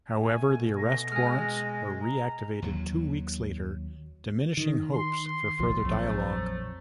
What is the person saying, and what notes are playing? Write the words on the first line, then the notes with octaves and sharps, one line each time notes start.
However, the arrest warrants were reactivated two weeks later, diminishing hopes for further dialogue.
B2 A3 G#5
A3 A#6
G#3 G#5 F6
A#5
D#2 F#3
D#3
C6
G1 C2 F3
A#1 F2 F3 F#3 A3